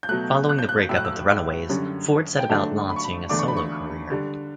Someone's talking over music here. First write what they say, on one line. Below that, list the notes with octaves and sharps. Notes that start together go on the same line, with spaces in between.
Following the breakup of the Runaways, Ford set about launching a solo career.
G6
B2 F#3 A3 F#6
F#6
G6
F#6
A2 F#3 A3 E4 E6
F#6
E6
F#2 D3 G3 C#4
G5
D3 F#3 A3 D4 A5
B5
C#6
B5
E2 D3 A3 D4 D6
C#6
B5
C#6
D3 G3 D4